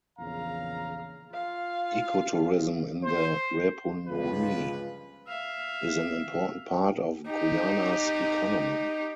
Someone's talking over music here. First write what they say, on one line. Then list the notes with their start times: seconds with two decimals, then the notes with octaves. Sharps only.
Eco-tourism in the Rupununi is an important part of Guyana's economy.
0.19 A#1 E2 C#3 F5 A#5
1.33 F4 F5
3.03 C5
4.08 G1 C#2 F3 F4 B4
5.28 E5 F5
7.27 D#4 G4